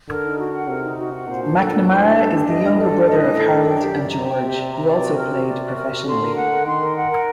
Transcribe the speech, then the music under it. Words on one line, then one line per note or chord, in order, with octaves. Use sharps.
McNamara is the younger brother of Harold and George, who also played professionally.
D3 A#4
D#4
F#4
F#5
C3 A#4
D#4
F#4
F#5
A#2 C5
D4
A4
D4
A2 C5
D4
G2 A4
D4
G2 D#5
D4
A4
D4
A2 D#5
D4
A4
D4
F#2 G5
G4
D5
A#5
C3 G5
G4
D5
A#5
D5
F#4
A#4
F#4
D5
F#4
A#4
F#4
D3 C6
A#4
F#5
A#4
D#3 C6
A#4
F#5
A#4